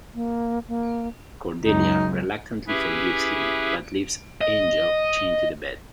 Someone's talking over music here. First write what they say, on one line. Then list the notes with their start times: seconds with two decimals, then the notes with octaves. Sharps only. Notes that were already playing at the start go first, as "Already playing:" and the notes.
Cordelia reluctantly forgives him, but leaves Angel chained to the bed.
0.15 A#3
0.68 A#3
1.63 C#2 F#2 D#4
2.67 C#4 E4 G4 G#4 B4 E5
4.41 D#5